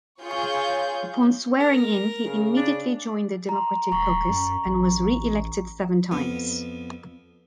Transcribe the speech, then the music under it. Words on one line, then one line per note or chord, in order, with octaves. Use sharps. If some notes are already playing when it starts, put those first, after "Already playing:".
Upon swearing-in, he immediately joined the Democratic caucus, and was reelected seven times.
F4 G#4 C#5 C#6 G6
A#4
C#3
D4
A#5 C6
D#1 A#5 C#6
F#2
A1
F2 B3